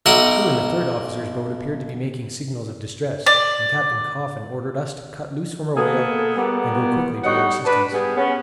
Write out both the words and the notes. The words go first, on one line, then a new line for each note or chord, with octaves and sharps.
The crew in the third officer's boat appeared to be making signals of distress, and Captain Coffin ordered us to cut loose from our whale and go quickly to their assistance.
B1 A#4 E5 F#5 D#6
D5
A#3 B3 G#4 A4
G3 A#3 B3
G3 D#4 F#4 C#5 F#5
D4 B4
G3 B3 G#4
B3 C#4